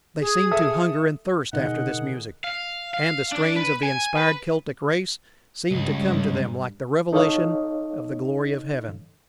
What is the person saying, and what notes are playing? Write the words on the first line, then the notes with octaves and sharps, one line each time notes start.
They seemed to hunger and thirst after this music, and the strains of the inspired Celtic race seemed to come to them like the revelation of the glory of heaven.
G#4
A4 E5 D#6
B2 D3 D#3 D#4 G#4 F#5
F5
F5
D4
B4
G#5
B4
C#2 G2
D#4 A4 C#5 D#5 F5